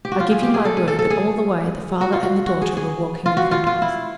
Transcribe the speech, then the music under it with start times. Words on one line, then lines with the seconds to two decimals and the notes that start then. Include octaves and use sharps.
I give you my word that all the way, the father and the daughter were walking in front of us.
0.05 G4
0.12 F#4
0.20 F4
0.31 G#4
0.43 G4
0.54 G#4
0.65 A4
0.77 G#4
0.88 A4
0.99 A4
1.10 G#4
2.01 F#4
2.12 F4
2.23 F#4
2.47 F#4
2.62 G#4
2.77 G#4
3.26 F4
3.37 F#4
3.51 F4
3.67 F4
3.82 E4